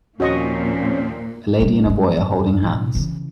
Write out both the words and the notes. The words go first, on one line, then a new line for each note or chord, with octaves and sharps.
A lady and a boy are holding hands.
D#2 A#2 F3 C4 C#4 F#4 D#5 C#6
A#1 G3
G2 G#3
F2
A2
C#3 E3